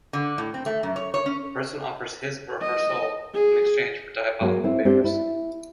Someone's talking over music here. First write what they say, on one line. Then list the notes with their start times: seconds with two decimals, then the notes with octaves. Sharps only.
The person offers his or her soul in exchange for diabolical favours.
0.13 D3
0.38 A2
0.54 C4
0.66 A3
0.83 F#2
0.96 C#5
1.14 C#5
1.26 C#4
2.61 D#5
3.34 G#4
4.41 F#3 A#3 G#4
4.64 C4 E4
4.85 C4 D4 G4
5.04 E4